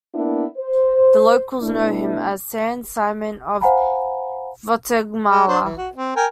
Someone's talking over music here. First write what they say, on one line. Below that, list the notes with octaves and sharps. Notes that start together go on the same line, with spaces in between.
The locals know him as San Simon of Guatemala.
A#3 B3 D4 E4
C5
B2 A3 D4 E4
C5 F5 F#5 G#5 A#5 B5
G#3
D4 C5
E3
F#4
C4
A#4 G5 G#5